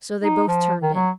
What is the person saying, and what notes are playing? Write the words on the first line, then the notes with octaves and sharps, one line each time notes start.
So they both turned in.
D#4
F3
D#3
F#3